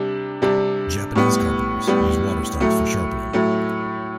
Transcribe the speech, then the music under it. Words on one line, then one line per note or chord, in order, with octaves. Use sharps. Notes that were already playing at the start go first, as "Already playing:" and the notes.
Japanese carpenters use waterstones for sharpening.
Already playing: C3 G3 D4
C3 G3 D4
A2 G3 B3
A2 G3 B3
A2 F#3 A3
A2 F#3 A3